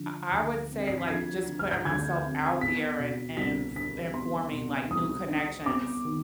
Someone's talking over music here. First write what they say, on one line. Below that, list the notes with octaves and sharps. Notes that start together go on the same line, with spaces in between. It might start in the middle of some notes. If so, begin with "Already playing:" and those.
I I would say like just putting myself out there and and, f and forming, like, new connections.
Already playing: D3 F3
D2
C4
C7
B6
F3 G#6
D3
F6
G6
D2 G#6
C4
B3 B6
B2
C2 B6
D4 B6
B3 C6
B2
C2 D#6
D4
B3 D6
D#3